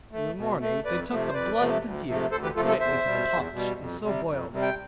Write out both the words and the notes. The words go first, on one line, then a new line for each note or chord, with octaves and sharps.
In the morning they took the blood of the deer, and put it into the paunch, and so boiled it.
A3
B2
A3
F2 B4 D5
C3 F3 A3
C5
F2 B4 D5
C3 F3 A3
D2
C3 F3 A3
D2 A4 C5
G4 B4
C3 F3 A3 F4 A4
F4 A4
E2 C5 E5
B2 G3
E2
B2 G3
F2
C3 G3
F2
C3 G3
G5